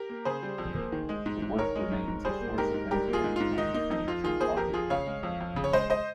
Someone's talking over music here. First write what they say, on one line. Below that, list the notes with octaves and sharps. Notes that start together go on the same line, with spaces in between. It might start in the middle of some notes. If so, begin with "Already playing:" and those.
The work remains a source of information on trees and arboriculture.
Already playing: G4 A#4
A#3
C#3 G#4 C5
G3
F2
A#3
D#3
G#3
G#2
G#2
D#3 A#4 C#5
G#3
G#2
G#2
G3 G#4 C5
A#3
G#2 G4 A#4
G#2
G3 G4 A#4
A#3
F4 G#4
G#2
G#2 F4
D#3 D#4
A#3 D#4
F2 D#4
F2 F4
D#3 F4 G#4
A#3 G#4 C5
F2 G4 A#4
F2 F4 G#4
C#3 C#5 F5
G#3
F2
F2
C#3
C#5
G#3 C5 D#5
C5 D#5